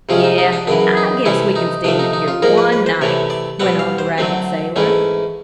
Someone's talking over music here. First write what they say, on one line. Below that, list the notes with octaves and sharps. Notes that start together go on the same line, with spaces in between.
"Yes, I guess we can stand it here one night," went on the ragged sailor.
C3 F3 G#3 C#4 F4
D#4
D#4
D4
F#2 C#3 E3 D4
D#4
C3 E3 A3 C#4 E4
D#4
C3 F3 A3 D4
D#4
D#4
F4
G#2 F3 A#3 A#4
B4
B4
C5
C3 E3 A3 C#5
D5
B2 G3 C4 F#5
F5
C5
D3 F#3 A3 C4
G#2 E3 A3 C#4